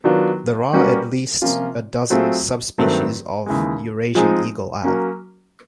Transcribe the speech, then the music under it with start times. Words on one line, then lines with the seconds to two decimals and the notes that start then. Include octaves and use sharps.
There are at least a dozen subspecies of Eurasian eagle-owl.
0.04 D#3 F#3 B3 D4 F4
0.73 G3 A#3 C#4 F#4 B4
1.42 C3 F3 A#3 C#4 F4
2.10 F#3 A3 C4 F4 G#4
2.78 G2 D#3 F#3 A3 C4
3.46 D#2 C#3 E3 G#3
4.15 F3 G#3 C4 D#4 G#4
4.84 F#3 A#3 C#4